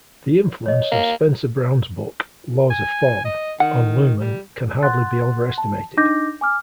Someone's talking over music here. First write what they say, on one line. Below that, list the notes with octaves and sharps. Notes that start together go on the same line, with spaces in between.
The influence of Spencer-Brown's book, "Laws of Form", on Luhmann can hardly be overestimated.
C#5 D#5
A#3
G#5
D#5
D#3 F#5
G3
F#5 C6 F#6 A6
A5
D4 D#4 D#5 D6 G6 A#6
G#5 D6 F6